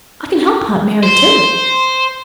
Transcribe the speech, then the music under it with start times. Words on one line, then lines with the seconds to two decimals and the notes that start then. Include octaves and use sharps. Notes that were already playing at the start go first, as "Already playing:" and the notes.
I can help Aunt Mary, too.
1.03 C5